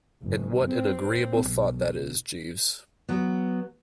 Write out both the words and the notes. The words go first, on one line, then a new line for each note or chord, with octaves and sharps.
And what an agreeable thought that is, Jeeves.
F#1
C4
B1
F#3 B3